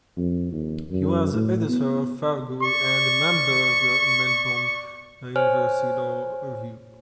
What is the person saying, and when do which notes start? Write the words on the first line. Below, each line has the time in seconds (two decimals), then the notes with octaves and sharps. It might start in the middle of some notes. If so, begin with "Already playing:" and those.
He was Editor of Farrago and a Member of the Melbourne University Law Review.
0.17 F2
0.52 D#2
0.91 F#2
1.33 A2
1.69 B3
2.62 D5 C#6
5.36 C5 C#5 G#5 F6